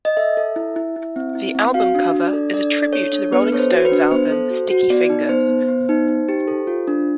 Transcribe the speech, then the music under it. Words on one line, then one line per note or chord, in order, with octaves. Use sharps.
The album cover is a tribute to The Rolling Stones' album "Sticky Fingers".
D#5
A4 E5
A4
E4
E4
E4
C4
E4
C4
F#4 F5
D4
D4
D5
A4
D4 D5
A4
A4 C#5
D4
B3 B4
A4 C#5
C5
F#4
B4
D4
B3 C5
A4
F#4
F#4
B3 D5
D#4
B3 C5
B3
B3
D#4
D#4
G4
A4
F4
D4